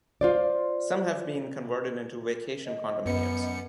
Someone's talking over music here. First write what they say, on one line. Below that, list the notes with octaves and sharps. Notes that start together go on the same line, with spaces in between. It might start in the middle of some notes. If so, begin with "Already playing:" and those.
Some have been converted into vacation condominiums.
F4 C5 D5
D#5
F#2 B3 C#7